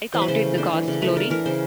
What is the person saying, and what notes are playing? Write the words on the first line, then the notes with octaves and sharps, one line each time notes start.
I counted the cost, Lori.
E3 C5
B4
C#3 C5
A3
D4 C5
E3
C#3
A3 B4
D4 A#4
E3 A#4
C#3 C5